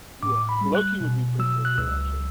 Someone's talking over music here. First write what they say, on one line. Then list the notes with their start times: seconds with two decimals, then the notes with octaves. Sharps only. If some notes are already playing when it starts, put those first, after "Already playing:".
Yeah, Loki would be pretty cool too, actually.
0.23 A2 D6
0.49 B5
0.61 G3
0.75 F#6
1.01 B2
1.39 F#3 E6
1.65 F#6
1.78 C#2 E6